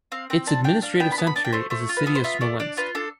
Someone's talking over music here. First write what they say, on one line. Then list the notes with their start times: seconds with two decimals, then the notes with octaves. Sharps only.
Its administrative center is the city of Smolensk.
0.12 C4 F5
0.30 C4 G5
0.47 D4 A5
0.64 D4 G5
0.82 D4 F5
1.00 B3 G5
1.12 B5
1.18 B3 A5
1.27 B5
1.36 D4 A5
1.44 G5
1.53 A3 C5
1.70 A3 C5
1.89 F4
1.97 B4
2.06 B3 A4
2.15 C5
2.24 F4 E5
2.41 A3 D5
2.60 D4 D5
2.77 F4 B4
2.95 D4 A4